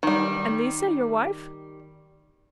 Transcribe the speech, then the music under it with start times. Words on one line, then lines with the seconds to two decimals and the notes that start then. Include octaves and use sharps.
"And Lise, your wife?"
0.03 D#3 G3